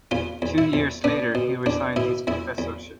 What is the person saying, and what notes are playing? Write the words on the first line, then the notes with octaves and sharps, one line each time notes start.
Two years later he resigned his professorship.
E2 F4
E2
E4
E2
B3 D4
B2
E2 D4
B2 E4
E2 E4
E2